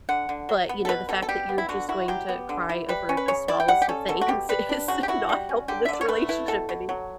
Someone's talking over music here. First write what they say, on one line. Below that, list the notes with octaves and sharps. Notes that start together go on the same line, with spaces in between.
But, you know, the fact that you're just going to cry over the smallest of things is not helping this relationship any"
D3 F#5
D3
F#3
B3
A4
B2 B4
B2 A4
A4
G3 G4
B3
E4
D3 F#4
E4 F#4
F#3 G4
B3
D3
E4
G3 B4
C#4
B4
C#3 C#5
E4 D5
G5
G3 F#5
G4
C#4 A4
B2 A4
F#4
B2 G4
G3 B4
D4
C#3 F#4
G4
E4 F#4
G3
C#4
D3 G4
E5
D3 D5
C#5
A3 B4
E4 B4
B2 A4
B2
F#3